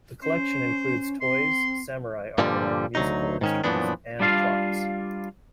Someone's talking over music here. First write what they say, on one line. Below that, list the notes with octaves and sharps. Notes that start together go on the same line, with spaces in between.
The collection includes toys, Samurai armour, musical instruments, and clocks.
C#4 C5
C4 C6
G2 A#2 D3 F3 G3
D2 F#3 D#4
G#2 D#3 C#4
F#2 A#2 E3 F3 B3 D4
G3 D4 F4 F5